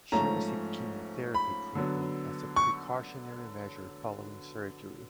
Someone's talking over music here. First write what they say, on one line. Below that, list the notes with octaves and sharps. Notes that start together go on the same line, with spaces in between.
She received chemotherapy treatment as a precautionary measure following surgery.
G#2 F3 A3 C#4 A#5
B5
D3 F#3 B3
C#6